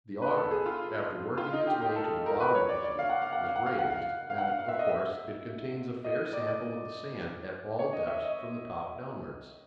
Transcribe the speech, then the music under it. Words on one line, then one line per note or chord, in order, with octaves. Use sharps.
The auger, after working its way to the bottom of the heap, is raised, and, of course, it contains a fair sample of the sand at all depths from the top downwards.
B4
A4
G#4
F4
F4
D#4
G4
G4
A4
A#4
B4
C#5
D5
D5
F5
F#5
F5
F#5
F5
F#5
F5
F#5
F5
F5
F#5
F5
F5
E5
D#5
E5
D#5
D5
D#5
D5
C#5
D#5
E5
D#5